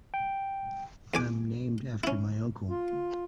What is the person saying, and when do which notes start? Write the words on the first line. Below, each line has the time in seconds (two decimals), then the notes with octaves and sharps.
I'm named after my uncle.
0.14 G5
1.14 E2 G#5 D6
2.04 C#4 E4
2.70 F4